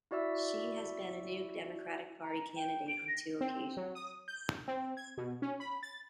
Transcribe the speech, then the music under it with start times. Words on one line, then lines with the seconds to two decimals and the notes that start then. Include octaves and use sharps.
She has been a New Democratic Party candidate on two occasions.
0.11 E4 F#4 D5 E5 E6
2.22 A#5
2.56 G5
2.88 D7
3.08 A#6
3.41 C4
3.77 F#3
3.95 D#6
4.28 G6
4.68 C4
4.97 G#6
5.18 B2
5.42 C#4
5.60 B5
5.83 A6